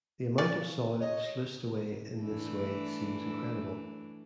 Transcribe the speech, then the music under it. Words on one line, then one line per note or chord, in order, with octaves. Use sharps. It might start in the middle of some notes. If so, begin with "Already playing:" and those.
The amount of soil sluiced away in this way seems incredible.
C#3 D5
C#5 D#5
E3 A3 D4